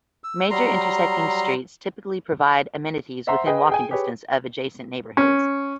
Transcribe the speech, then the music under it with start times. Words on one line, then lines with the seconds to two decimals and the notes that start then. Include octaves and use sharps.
Major intersecting streets typically provide amenities within walking distance of adjacent neighborhoods.
0.24 E6
0.51 F#3 G3 A#5 C6
3.27 C5 E5 F#5 A#5 C6
3.46 G#4 B4 D#5 G5
3.69 G#4 G5 G#5
3.91 G4 G#4 B4 C#5
5.17 C#4